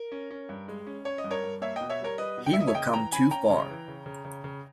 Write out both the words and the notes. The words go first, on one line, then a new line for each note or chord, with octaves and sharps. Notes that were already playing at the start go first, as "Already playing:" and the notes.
He will come too far.
Already playing: A#4
C#4
C#4
G2
G#3
C#4
C#4 C#5
D#5
G2
A#4 C#5
G2
A#3 C#5 E5
B2 D#5 G5
C#5 E5
G3 A#4 C#5
G3 B4 D#5
B2
G5
E5
A#3 D#5
C#5 E5
C#3 D#5 G5
E3 G5 A#5
C#4 G#5 B5
C#4 G5 A#5
C#3
E3
C#3
C#3
C#3
C#3